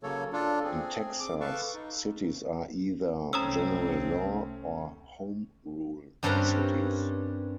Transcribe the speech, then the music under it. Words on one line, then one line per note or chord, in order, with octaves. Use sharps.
In Texas, cities are either "general law" or "home rule" cities.
C#3 F#3 A#3 A4 C#5
D4 F4 A4
C4 G#4
D6
A4 B4 F5 A5 C#6
D#4
C2 A3 C4 C#4 A#5 D#6 E6
G2 G3 C4 C#4 A#4 B4